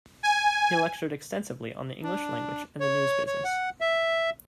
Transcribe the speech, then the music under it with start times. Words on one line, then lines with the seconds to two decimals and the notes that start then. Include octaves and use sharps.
He lectured extensively on the English language and the news business.
0.23 G#5
2.03 D4
2.80 C#5
3.27 C#5
3.44 F#5
3.81 E5